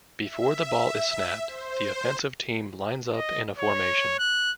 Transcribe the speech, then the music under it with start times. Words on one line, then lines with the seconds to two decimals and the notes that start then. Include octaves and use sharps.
Before the ball is snapped the offensive team lines up in a formation.
0.22 E5
1.46 C5
3.16 D#5
3.58 C#5
4.19 F#6